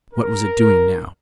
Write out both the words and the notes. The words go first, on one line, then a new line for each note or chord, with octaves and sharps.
What was it doing now?
A#4